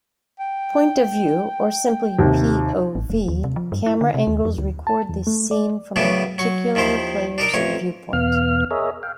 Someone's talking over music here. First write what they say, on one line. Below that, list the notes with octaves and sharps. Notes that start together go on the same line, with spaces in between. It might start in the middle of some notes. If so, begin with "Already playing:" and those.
Point-of-view, or simply p.o.v., camera angles record the scene from a particular player's viewpoint.
G5
D#2 C3
A1
F1
D#2
C3
F3
G2
E4
D3
C3
D#2
F2
D2
A5
E2
A3
D5
F#2 A2 C#3 B3 D4
F#3 C#6
D#2 D#3 F3 E4 C5
D4 D#4 A#4
A1 F2 C#5
E2 B2 B3 F5 F6
G#4 A#4 C#5 D#5 E5
F5 G5